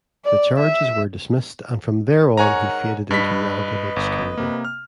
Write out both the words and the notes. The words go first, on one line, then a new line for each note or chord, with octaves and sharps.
The charges were dismissed and from thereon he faded into relative obscurity.
D5
E5
G#2 A#4 C#5 F#5 G#5 A#5
G2 B4 D#5 B6
G1
C3 A#3
F6